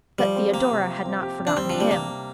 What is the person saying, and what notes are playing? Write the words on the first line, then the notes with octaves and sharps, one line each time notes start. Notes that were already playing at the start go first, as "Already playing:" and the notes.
But Theodora had not forgotten him.
F3 G3
C4
A#3 G4
C3
F3
C4
G4
C3
D4
G3 C4
F3 D4
G3
C3 A#3
C3